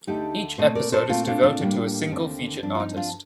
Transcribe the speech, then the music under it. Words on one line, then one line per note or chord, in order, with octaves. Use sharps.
Each episode is devoted to a single featured artist.
D2 D3 A3 D#4 G4
A#2 A3 C4 C5 D#5
A#4 D5
A4 C5
A#2 A3 C4 F4 A4
D4 F4
D4 F4
A2 G3 A#3
D#2 D3 A3 C4
G2 F3 C4 D4
F4
D#4
D4 F4